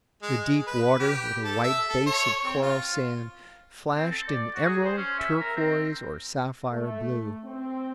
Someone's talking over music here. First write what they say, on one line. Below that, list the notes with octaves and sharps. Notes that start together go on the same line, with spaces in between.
The deep water, with a white base of coral sand, flashed in emerald, turquoise, or sapphire blue.
G#3
G#3
B4
G4
A4
E5
A4
C#5
C4
F4
C4
A4
D5
F#4
G#4
C5
C#4
E5
A#4
C4
A3
C4